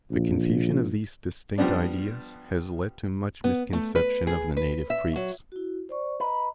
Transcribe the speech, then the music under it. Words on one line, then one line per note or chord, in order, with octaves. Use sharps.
The confusion of these distinct ideas has led to much misconception of the native creeds.
A#1
F3 G3 B3 D4
B3
A3
B4
G#4
B4
E5
F#3
E4 F#4
C5 D5 C#6
B4 D#5 A#5